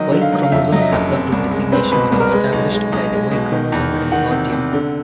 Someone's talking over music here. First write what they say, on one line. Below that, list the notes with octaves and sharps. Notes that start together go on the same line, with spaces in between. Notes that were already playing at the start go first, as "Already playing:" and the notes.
Y chromosome haplogroup designations are established by the Y Chromosome Consortium.
Already playing: D#3 F#3 D#5
D3
F5
F#3
F5
F2 E5
F#3 D#5
E5
F#1
C4
C2
G#3
C4 B4
B2 B4
C2 B4
A#4
G#3 B4
B1
G#3
B1 D#5
G#3
B2
D#3
E2
D#3
D#3 F#5
C3
C3
D3